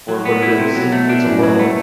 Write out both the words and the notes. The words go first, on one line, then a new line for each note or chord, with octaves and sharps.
or what it is? It's a hormone.
F#3
A2 B3
E4
C3
B2 F#3
A3
D4
F#2 A2
F#3
A3